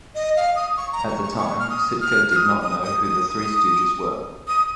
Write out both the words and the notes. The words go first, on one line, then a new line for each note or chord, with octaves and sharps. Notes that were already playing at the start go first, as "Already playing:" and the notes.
At the time, Sitka did not know who the Three Stooges were.
D#5
F5
D#6
C#6
A#5
C#6
C#6
C#6
F6
D#6
F6
F6
D#6
D#6
D#6
D#6
D#6